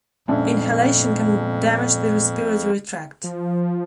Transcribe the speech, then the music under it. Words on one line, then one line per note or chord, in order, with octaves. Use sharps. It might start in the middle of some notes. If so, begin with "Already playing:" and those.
Inhalation can damage the respiratory tract.
F2 A#2 G#3 B3 C#4 D4 E5
F3